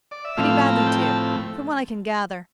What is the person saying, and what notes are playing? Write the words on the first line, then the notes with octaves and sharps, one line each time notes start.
'Pretty badly too, from what I can gather.
D5
E5
A2 F3 A3 C4 E4 F5
A#5
A5
G5
A#5
A5